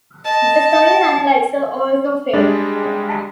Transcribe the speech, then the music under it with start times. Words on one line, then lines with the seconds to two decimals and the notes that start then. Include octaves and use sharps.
The soil analyzer also failed.
0.25 D#5 A5
2.33 G3 G#3 D4